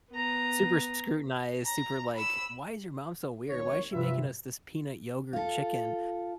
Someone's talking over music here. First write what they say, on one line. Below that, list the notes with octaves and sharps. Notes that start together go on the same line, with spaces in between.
Super s scrutinized, super like, "Why is your mom so weird? Why is she making us this peanut yogurt chicken?"
B3 A#5
A#5
B5 E6
G#1 D#2 C#5
G2 C3 F4 B4 E5
F4 A4